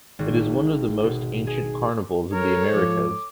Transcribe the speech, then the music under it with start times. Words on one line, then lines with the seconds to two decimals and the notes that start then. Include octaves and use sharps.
It is one of the most ancient carnivals in the Americas.
0.19 G#1
1.04 B2
1.47 G#4
2.32 A4 A#4 C#5
2.74 G#2 F3 D6